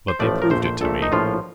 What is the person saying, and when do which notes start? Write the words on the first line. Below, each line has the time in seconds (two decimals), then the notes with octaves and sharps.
But they proved it to me.
0.08 C5
0.19 A1 A2 F3 A3 D5
0.42 A#4
0.50 A#1 A#2 A3 C5
0.65 C5
0.81 A#1 A#2 A3 A4
1.02 D#4
1.12 A#1 A2 F3 F4